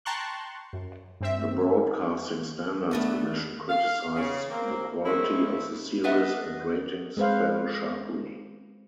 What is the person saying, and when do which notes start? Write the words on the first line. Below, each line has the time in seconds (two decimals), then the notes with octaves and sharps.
The broadcasting standards commission criticised the quality of the series and ratings fell sharply.
0.05 G5 A5 A#5 C6 C#6 F#6
0.73 F#2
1.20 G2 C4 E5
2.91 A3 B3 D4 B4
3.69 F5
4.16 C#3
4.51 A#3 C4
5.05 E3 F3 G#3 A3 C4 E4
6.04 B3 D4 B4 D#5 E5 F#5
7.17 G#3 C4 B4 C5 F5